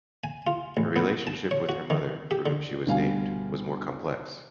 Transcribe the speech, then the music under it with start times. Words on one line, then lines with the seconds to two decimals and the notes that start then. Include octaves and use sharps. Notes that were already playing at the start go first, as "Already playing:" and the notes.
Her relationship with her mother, for whom she was named, was more complex.
0.24 G#5
0.47 F4
0.77 A1
0.96 B3
1.27 A5
1.51 C#5
1.69 F#4
1.90 D#3
2.31 G4
2.46 D3
2.86 D2 B2 G3 F5 G#5